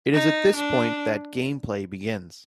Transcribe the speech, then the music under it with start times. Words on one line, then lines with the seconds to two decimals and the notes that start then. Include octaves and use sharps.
It is at this point that gameplay begins.
0.14 D#4
0.56 D4